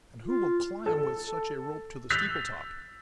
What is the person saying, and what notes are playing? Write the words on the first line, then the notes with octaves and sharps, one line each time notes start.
And who will climb with such a rope to the steeple-top?
F4
A4
E6 F#6 G6 A6 B6 F7